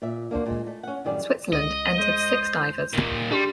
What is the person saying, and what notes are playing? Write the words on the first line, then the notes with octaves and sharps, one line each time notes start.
Switzerland entered six divers.
A#2 E5
A#3 D4 F#4 C5
A#2 G#3
A3
C#4 F#5
F#2 A2 D#3 G3 G#4 D5
C#2 D#5
G#3 C5
A#2 D#3
G3 D4 G4 C6